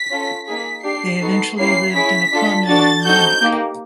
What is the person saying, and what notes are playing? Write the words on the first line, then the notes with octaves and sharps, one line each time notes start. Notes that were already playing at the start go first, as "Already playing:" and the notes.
They eventually lived in a commune in Munich.
Already playing: B6
C#4 F4 A4
A#3 D#4 G#4 B6
D4 G4 C7
B3 D#4 F#4 A4
A#3 C#4 E4 G4 C7
C#4 E4 G#4 B6
D4 F4 A4
D4 F#4 A4 A6
C4 D#4 F#4 A4 G6
A#3 D#4 G4